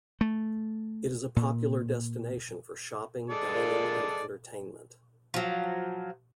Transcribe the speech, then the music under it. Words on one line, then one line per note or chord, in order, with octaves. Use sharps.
It is a popular destination for shopping, dining and entertainment.
A3
A#2
G#3 A4 D5
A#2
F3 F#3